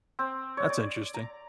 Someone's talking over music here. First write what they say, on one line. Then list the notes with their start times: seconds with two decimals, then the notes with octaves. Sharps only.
That's interesting.
0.19 C4
0.57 C#5
0.70 D5
1.14 A#5